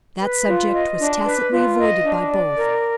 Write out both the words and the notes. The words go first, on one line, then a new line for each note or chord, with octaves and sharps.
That subject was tacitly avoided by both.
B4
F4
D#5
D4
B4
F4
D#5
D4
D5
A#4